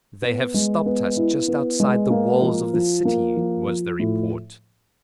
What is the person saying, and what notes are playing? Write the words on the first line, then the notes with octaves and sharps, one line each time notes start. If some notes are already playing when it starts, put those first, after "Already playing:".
"They have stopped us just outside the walls of the city," was the report.
B3
G#3
B3
E4
B3
G#3
A#3
F3
F3
A#3
F3
F3
A2